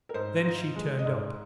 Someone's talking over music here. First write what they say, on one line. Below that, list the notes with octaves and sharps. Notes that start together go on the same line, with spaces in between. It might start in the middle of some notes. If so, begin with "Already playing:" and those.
Then she turned up.
A#4
G#2 C5
F3
G#3
D#5
G#2 D5